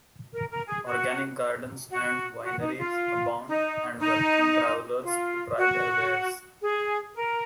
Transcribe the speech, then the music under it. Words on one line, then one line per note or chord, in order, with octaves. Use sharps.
Organic gardens and vineries abound and welcome travelers to try their wares.
A#4
A#4
G#4
F#4
F#4
F#4
D#4
F4
D#4
D#4
F4
F#4
G#4
A#4